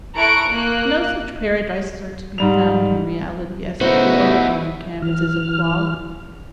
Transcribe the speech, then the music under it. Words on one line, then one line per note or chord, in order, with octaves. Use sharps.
No such Paradises are to be found in reality as have glowed upon the canvass of Claude.
E4 A4 A#5 C#6 F#6 D7
A#3 F#6
G#2 G3 F7
A2 C#3 B3 D#4 E4 F#4 C5
E3 F6